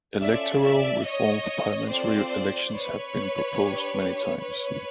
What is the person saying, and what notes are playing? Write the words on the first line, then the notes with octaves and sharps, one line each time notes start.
Electoral reform for parliamentary elections have been proposed many times.
C#4 F4 A4 D5 E5
D5 E5
C#5 D#5
C4 F4 A4 C5 D5
B4 C#5
D4 G4
B4 C#5